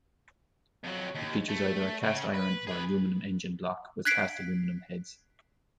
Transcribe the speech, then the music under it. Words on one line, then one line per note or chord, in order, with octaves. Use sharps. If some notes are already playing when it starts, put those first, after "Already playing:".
It features either a cast iron or aluminum engine block with cast aluminum heads.
F2 F#3
D#2
A3
C#3
B4
G#4 B4
F#6 G#6 B6 C7 D7